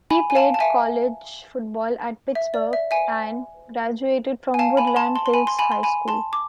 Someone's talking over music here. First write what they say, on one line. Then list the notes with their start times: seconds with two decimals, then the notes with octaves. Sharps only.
He played college football at Pittsburgh and graduated from Woodland Hills High School.
0.10 G#5 B5
0.30 G#5
0.35 F5 A5
0.54 A5
0.60 E5 G#5
2.35 E5
2.54 D5
2.73 E5
2.91 E5 G#5
4.54 G#5
4.59 F5 A5
4.77 G#5 B5
4.87 B5
4.96 A5 C6
5.16 A5 C6
5.26 C6
5.34 G#5 B5
5.47 C6
5.59 G#5 B5
5.72 C6
5.83 G#5 B5
6.08 A5 C6
6.33 D6